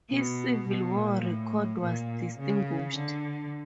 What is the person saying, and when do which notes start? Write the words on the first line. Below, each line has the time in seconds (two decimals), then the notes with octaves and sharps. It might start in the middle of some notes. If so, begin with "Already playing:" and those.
His Civil War record was distinguished.
0.11 B2
0.69 B2
0.96 A#2
1.24 A2
1.82 A#2
2.39 C#3
2.96 D3